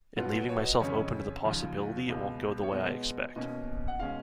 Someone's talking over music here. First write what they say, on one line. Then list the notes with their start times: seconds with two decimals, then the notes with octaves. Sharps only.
And leaving myself open to the possibility it won't go the way I expect.
0.17 B2 F#3 B3 F4
0.28 F4
0.33 F#4
0.49 C#5
0.64 D#5
0.80 F2 C#3 G#3 C#4 C#5
1.44 D#2 C#3 F3
2.08 C#2 B2 G#3
2.63 C#5
2.71 B2 G#3 B3 D#5
3.36 B2 A#3 C#4 D#5
3.88 F#5
3.99 B2 G#3 C#4 F5